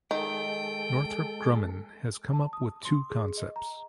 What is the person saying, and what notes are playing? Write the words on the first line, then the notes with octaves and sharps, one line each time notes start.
Northrop Grumman has come up with two concepts.
D#3 G#3 A4 G5
A5
D#6
C6
G#4
D#5
A#5